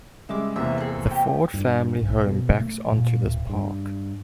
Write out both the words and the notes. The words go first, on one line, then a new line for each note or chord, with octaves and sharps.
The Ford family home backs onto this park.
C#3 G3 G#3 E5 D6
E2 C3 A#3 E5
G#4 A4
G4
G2
B1
B2
A3
A#2
D1
G2